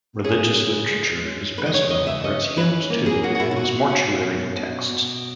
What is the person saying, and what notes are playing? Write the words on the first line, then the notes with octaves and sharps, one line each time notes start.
Religious literature is best known for its hymns to and its mortuary texts.
C#4 G#4
C#3
G#3
C#4
C#3 B4
D#5
C#5
C#3 D#5
E5
C#4 D#5
C#4 B4
A#3
G#4
C#4 F#4
F#4
E4
E4
B2 F#4
C#4
B2
B2
B2